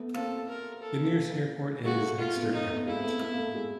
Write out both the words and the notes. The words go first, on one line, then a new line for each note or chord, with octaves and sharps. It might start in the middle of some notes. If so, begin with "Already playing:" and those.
The nearest airport is Exeter Airport.
Already playing: A3 B3
A#3 C4 A4
A#4
A4
G#3 A#3 F#4
A3
A3 F4
A3 B3
A#3 C4 D#4
A3 B3
G#3 A#3 E4
C4
A3 B3
A3 B3
A#3
A3
G#3